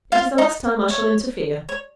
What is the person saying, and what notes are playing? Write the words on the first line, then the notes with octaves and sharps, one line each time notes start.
It is the last time I shall interfere.
F4 F5
D#4 D#5
C#5
C#5